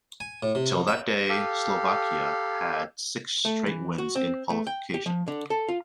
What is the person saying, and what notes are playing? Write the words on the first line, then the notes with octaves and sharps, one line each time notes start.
Till that day, Slovakia had six-straight wins in qualification.
G#5
A2
C3
F2
E5
G4 A4 F5
A3
E3
F#4
C4
A3
G5
G4
F3
D3
A4
F4